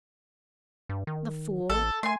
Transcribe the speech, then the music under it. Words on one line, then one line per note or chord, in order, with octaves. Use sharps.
The fool!
G2
D#3
A1 A4
A3 G#5 C6